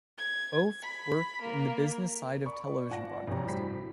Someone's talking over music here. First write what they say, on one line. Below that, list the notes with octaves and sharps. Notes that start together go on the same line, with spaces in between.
Both worked in the business side of television broadcasting.
G#6
B5
A#3
D5 B5 C#6
G#1 F4 D5 F#5 A5 A#6
A#1 E2 C3 G4 C#5 A#5
A2 G3 C4 F#4 B5 B6